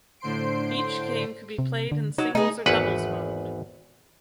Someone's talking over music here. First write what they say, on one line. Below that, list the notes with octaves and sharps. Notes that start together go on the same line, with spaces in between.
Each game could be played in singles or doubles mode.
A2 D3 C5 C6 C7 D7
C3
D3
F#3 D#4
A3 D#4 G#4
G#1 E2 B4 F#5